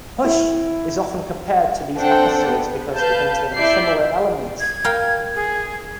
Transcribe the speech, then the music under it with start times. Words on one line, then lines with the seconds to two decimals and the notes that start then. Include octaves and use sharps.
"Hush" is often compared to these episodes because they contain similar elements.
0.24 E4
1.96 C4 D4 A4 C5 F#5 G5
2.46 B3
2.95 B4 F5 A5 G6
3.53 E4 D5 E5 G6 C7
4.60 G#6
4.84 A#4 F5 G5
5.35 G#4